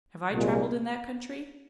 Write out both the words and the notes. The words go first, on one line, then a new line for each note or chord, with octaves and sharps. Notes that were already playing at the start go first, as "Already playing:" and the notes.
Have I travelled in that country?
C2 A#2 G#3